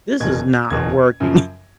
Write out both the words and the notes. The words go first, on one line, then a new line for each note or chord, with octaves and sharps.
this is not working."
F#1 E2 B2 G#6
F#1 E2 B2 G#6
F#2 C#3 F3